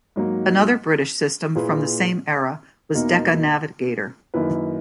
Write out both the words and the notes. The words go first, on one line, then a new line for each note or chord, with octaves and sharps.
Another British system from the same era was Decca Navigator.
G#2 F#3 A#3 D#4
A#2 A#3 E4 G#4 B4
E2 B2 A#3 D#4 A#4
F#2 D#3 A#3 E4 B4